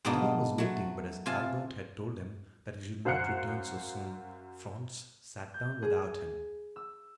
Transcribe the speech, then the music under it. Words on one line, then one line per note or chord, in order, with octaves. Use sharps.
Dinner was waiting, but as Albert had told him that he should not return so soon, Franz sat down without him.
G#2 B2 A#3 B3 D4 D#4
F#3 A3
C3 F4 G#5 A5
F#2 C5 F5 F#5 F#6 C#7
G6
G#4
E6